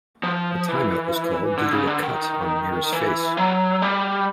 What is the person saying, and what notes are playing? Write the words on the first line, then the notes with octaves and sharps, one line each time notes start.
A time out was called due to a cut on Mir's face.
F3
E3
D3
C#3
D3
D#3
E3
F#3
G3